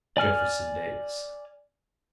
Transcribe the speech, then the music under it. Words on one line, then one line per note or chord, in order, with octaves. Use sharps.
"Jefferson Davis".
D5 G#5 F6